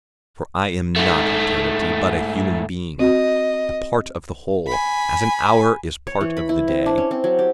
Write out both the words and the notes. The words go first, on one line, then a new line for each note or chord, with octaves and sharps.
For I am not Eternity, but a human being--a part of the whole, as an hour is part of the day.
G#2 A3
C4 F#4 D#5
G#5 B5
C#5
E3
B5
E4
C4
D4
C#4
C4
F#3
G4